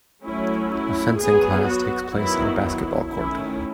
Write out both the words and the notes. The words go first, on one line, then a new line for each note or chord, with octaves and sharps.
A fencing class takes place on a basketball court.
F#3 A3 C#4 E4
E4
F#3 B3 G#4
F#4
D#3 F#3 B3 E4
E4
D#3 A3 C#4 E4